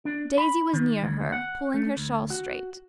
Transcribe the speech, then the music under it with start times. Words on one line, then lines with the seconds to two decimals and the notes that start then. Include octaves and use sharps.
Daisy was near her, pulling her shawl straight.
0.05 D4
0.38 B5
0.73 D#3
1.04 D2
1.32 F#5
1.74 A3
1.97 D2
2.30 F#4